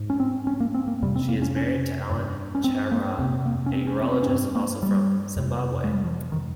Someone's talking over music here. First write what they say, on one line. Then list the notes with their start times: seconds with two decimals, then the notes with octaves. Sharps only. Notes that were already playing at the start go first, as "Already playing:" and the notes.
She is married to Allen Chiura, a urologist, also from Zimbabwe.
Already playing: G#2
0.10 C#4
0.20 C4
0.47 C#4
0.60 A#3
0.74 C4
0.88 A#3
1.02 F2 C3 G3
1.16 C4
1.28 A#3
1.42 C#4
1.56 C#4
2.11 G2
2.55 C#4
2.64 C4
2.92 A#3
3.19 F2 C3 C4
3.46 A#3
3.66 C#4
3.73 C4
3.87 C#4
4.01 C4
4.14 C4
4.23 C#4
4.28 G2 C4
4.55 A#3
4.83 G3
5.36 F2 C3
5.84 G#3
5.91 G3
6.04 F3
6.32 D#3